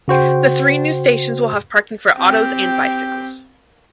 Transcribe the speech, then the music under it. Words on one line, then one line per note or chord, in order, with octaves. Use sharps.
The three new stations will have parking for autos and bicycles.
C#3 F#4 C5 G5
C4 G4